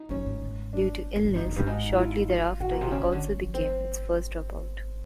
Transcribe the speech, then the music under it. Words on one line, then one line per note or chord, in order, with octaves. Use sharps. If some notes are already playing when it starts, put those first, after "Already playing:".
Due to illness shortly thereafter, he also became its first dropout.
Already playing: D#4
F#2 C#4
G#2
G#2
D4
G#2
G#2
F#2 D#4
F2
G2
G#2 D#4
F4
E4
F4
A2 F#4
A#2
C3
C#3 C#4
C#3
D3
F3
F3
C4